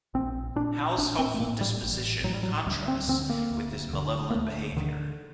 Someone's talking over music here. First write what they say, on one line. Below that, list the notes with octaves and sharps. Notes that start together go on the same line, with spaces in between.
Hal's helpful disposition contrasts with his malevolent behaviour.
A#1 C4
A#2 D4
A1 D4
C4
A3
A2 A#3
G3
A1
A2 F#3
G3
F#3
D2 G3
C4
D3 C4
A#3
D2
D3
A#3
D2 A3
D3 D#3